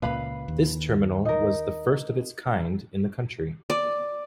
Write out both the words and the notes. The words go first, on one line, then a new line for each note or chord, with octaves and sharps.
This terminal was the first of its kind in the country.
C#2 A#2 B4 F5 B5
D#2
D#4 A#4
D5